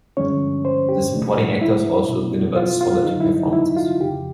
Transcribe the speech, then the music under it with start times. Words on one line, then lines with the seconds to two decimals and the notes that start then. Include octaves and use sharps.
The supporting actors also delivered "solid" performances.
0.17 G2 D3 F3 G#3 C#4 C#5
0.65 C5
0.89 G4
1.13 E2 C3 F3 A3 D4
1.61 E4
2.09 B2 F#3 B3 D4
2.56 F4
2.81 F4
3.04 G2 D3 F#3 D#4
3.20 E4
3.36 D#4
3.53 E4
3.76 F4
4.00 F2 C#3 F3 G4